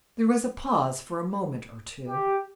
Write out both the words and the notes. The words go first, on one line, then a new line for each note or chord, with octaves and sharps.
There was a pause for a moment or two.
G4